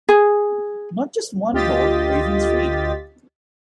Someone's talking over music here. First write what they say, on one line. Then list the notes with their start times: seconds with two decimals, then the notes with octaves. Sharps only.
Not just one hole, or even three.
0.09 G#4
1.53 D2 F4 G4 D#5 A6 B6